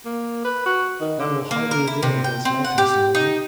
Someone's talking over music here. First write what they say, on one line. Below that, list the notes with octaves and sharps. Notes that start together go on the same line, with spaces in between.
"That will hardly avail against my testimony."
A#3
B4
F#4
D#3
D3
A#3
A#4
E4
C3
G5
C4
F#5
G4
D#4